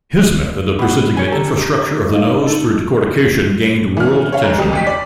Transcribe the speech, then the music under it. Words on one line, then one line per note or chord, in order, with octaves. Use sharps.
His method of presenting the infrastructure of the nose through decortication gained world attention.
B2 F#5 B5
C#5 G#5
G4 A4 A#5
D#4 D#5 F5
D#4 A4
E3 F6
C#5 F5
G#2
F2 G3
A1 G5 B6
D5